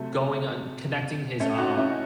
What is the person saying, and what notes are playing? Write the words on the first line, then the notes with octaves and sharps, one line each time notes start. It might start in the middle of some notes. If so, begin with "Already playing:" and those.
going uh, connecting his, uh
Already playing: C3 F#3 A3
A3 C#4
D#4 F#4
C#4 E4